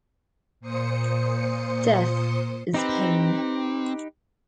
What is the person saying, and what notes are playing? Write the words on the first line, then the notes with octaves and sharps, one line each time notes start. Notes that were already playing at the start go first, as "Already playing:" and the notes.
Death is pain.
A#2 C5 D#6 C#7
C4 D#4 G4 B4